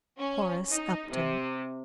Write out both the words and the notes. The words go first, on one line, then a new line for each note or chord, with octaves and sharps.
Horace Upton.
C#4
D#4
C3